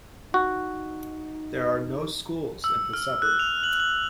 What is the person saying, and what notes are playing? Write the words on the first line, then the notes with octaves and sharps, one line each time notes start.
There are no schools in the suburb.
D#4 F#4
E6
F6
F#6
F7
F#7
F#7